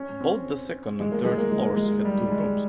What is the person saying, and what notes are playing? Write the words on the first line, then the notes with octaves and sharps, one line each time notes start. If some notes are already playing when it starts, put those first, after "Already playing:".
Both the second and third floors had two rooms.
Already playing: C#4
C4
G#3
A#3
G#3
A#3
G#3
A#3
G#3
G3
G#3